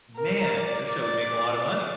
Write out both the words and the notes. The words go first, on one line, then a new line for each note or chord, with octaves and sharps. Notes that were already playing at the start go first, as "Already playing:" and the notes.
Man, your show would make a lotta money.
A#4
D5
D5